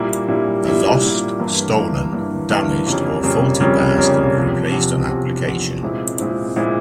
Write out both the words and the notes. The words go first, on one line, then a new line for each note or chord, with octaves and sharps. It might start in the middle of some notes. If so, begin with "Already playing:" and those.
A lost, stolen, damaged, or faulty pass can be replaced on application.
Already playing: A#2 G3 A#3 E4
A#2 G3 A#3 E4
A#2 G3 A#3 E4
A#2 G3 A#3 E4
G2 E3 A#3 E4
G2 E3 A#3 E4
G2 E3 A#3 E4
G2 E3 A#3 E4
F2 C#3 G3 A#3 C#4
F2 C#3 G3 A#3 C#4
F2 C#3 G3 A#3 C#4
F2 C#3 G3 A#3 C#4
E2 C3 F3
E2 C3 F3
E2 C3 F3
E2 C3 F3
A#2 G#3 C4 E4
A#2 G#3 C4 E4
A#2 G#3 C4 E4